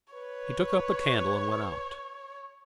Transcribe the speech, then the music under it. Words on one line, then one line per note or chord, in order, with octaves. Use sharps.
He took up the candle and went out.
B4 C#5